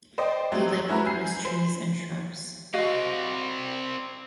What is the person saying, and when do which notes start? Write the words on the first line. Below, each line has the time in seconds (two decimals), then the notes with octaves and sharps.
They likely grew as trees and shrubs.
0.18 C5 D5 D#5 G5
0.52 F#3 G#3 A3 C4
0.88 C#4 E4 F#4 B4 A#5
1.06 G#5 G6 C7
1.45 C5
2.74 C4 F#4 D5 D#5 F5